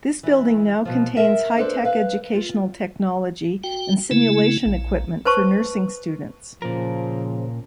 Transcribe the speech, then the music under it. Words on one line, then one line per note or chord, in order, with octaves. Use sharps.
This building now contains high-tech educational technology and simulation equipment for nursing students.
E3
B2 F3
A#4 E5
D4 A4 B4 C5
B4 F5
F4
F#4 G5
C#3 A3 E4
A#1
B4 C5 A5 C#6
A#2 C#3 F3 A#4